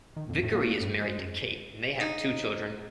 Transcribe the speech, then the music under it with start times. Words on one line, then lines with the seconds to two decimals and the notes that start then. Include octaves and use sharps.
Vickery is married to Kate and they have two children.
0.16 D#3
0.29 F2
0.43 A2
0.55 A#3
0.82 G2
1.01 G#3
1.18 F#2
2.01 D#4